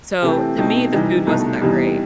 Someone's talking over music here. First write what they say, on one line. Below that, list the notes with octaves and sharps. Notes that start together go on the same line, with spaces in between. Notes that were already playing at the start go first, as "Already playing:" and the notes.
So, to me, the food wasn't that great.
C3 E3 A3 C4
B2 A3 C4 D#4
C3 E3 G3 D#4
C2 B2 A3 D#4
E2 C3 E3 G3 D#4